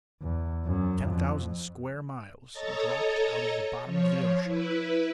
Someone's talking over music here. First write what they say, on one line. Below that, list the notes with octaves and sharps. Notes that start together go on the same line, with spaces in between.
Ten thousand square miles dropped out of the bottom of the ocean!
E2
F#2
F2
A4 C#5 D#5 A#5 A6
F3 C#5
E4 B4